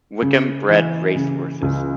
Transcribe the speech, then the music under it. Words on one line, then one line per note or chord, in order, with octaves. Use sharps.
Wickham bred racehorses.
C#3
E3
C#3
C#2